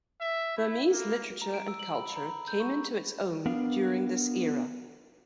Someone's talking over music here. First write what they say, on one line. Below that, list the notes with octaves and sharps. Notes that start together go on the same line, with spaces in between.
Burmese literature and culture came into its own during this era.
E5
E4
A#3
A#5
D7
E6
F#7
B5
A#5
B5
G6
C#6
B3 D4 A#4 F5